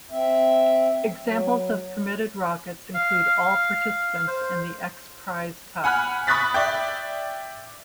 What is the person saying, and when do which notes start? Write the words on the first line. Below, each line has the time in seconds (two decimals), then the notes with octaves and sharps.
Examples of permitted rockets include all participants in the X Prize Cup.
0.11 C4 E5
1.23 F#3
2.94 F5
4.27 C5
5.84 F#5 G#5 B5 F6 F#6
6.27 B5 C#6 D#6 F#6 A6 B6
6.54 D5 E5 G5